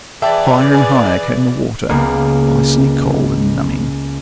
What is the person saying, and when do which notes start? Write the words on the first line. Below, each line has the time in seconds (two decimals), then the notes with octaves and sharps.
Higher and higher came the water, icily cold and numbing.
0.22 E3 G#4 D5 E5 G5 A5
0.74 G#5
1.89 C#2 A#3 B3